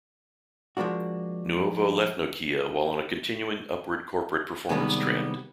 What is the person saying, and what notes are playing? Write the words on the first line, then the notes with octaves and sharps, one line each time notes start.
Nuovo left Nokia while on a continuing upward corporate performance trend.
F3 G#3 A#3 D4 F#4
C2 A2 D#3 G3 G#3 B3